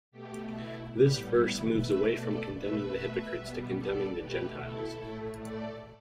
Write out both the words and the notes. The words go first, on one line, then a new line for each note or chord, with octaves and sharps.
This verse moves away from condemning the hypocrites to condemning the Gentiles.
B2 A3 G4
E4
A2 G3 B3 G4
E4
B2 A3 B4 E5
A4 D5
B2 A3 B4 E5
B2 G3 B3
A4 D5
B2 A3 G4 B4
E4 A4
A2 A3
A4 D5